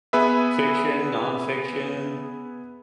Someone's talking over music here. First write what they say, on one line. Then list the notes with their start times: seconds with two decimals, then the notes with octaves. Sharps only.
Fiction, nonfiction?
0.13 B3 G#4 B4 E5